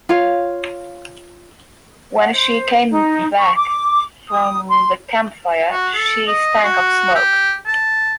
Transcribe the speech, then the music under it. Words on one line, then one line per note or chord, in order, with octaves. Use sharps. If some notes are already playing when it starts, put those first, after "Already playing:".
When she came back from the campfire, she stank of smoke.
F4 C#5 F5
F#5
C5
D#4
C#6
D6
D#6
C6
F#4
A4
D#5
F#4
G4
A5